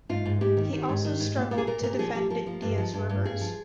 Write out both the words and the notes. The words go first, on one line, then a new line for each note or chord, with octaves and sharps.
He has also struggled to defend India's rivers.
G#2 F4
G#2
G#2 G4
D#3
D#3
G#2
D#3
G#2
A#2
A#2
G#4
A#2 A#4
A#2 A#4
G4
F3 G#4
F3 G4
F3 A#4
F3
G2
F3
G2
G2
G2 G#4
F3